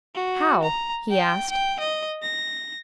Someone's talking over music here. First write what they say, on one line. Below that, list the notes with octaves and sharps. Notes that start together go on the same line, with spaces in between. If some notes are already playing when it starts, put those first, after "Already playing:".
"How?" he asked.
F#4
A#5
G5
G5
D#5
A#6